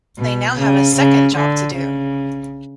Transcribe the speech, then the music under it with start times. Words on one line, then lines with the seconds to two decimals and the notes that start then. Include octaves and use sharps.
They now have a second job to do.
0.18 B2
0.57 C#3
0.96 C#3
1.35 D3
1.74 C#3